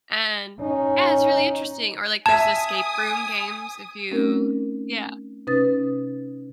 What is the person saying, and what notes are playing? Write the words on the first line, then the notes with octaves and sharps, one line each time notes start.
and, yeah, it's really interesting, or like there's escape room games if you yeah.
C#4 D#4
E5 G#5 A5 D#6 G#6
A3 C4 C#4 D#4 A#4
C3 C#4 D#4 B4 D#6 A6